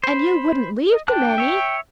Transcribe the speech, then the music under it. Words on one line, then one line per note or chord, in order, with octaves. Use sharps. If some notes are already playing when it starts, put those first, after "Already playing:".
And you wouldn't leave them any?
C5 B5
D#5
D4 G5 A5 F#6
C#5 E5